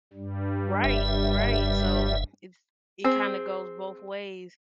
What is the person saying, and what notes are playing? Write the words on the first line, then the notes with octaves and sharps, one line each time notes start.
Right, right, so, it's it kinda goes both ways.
G2 G3
F#1 E5
C4 G#4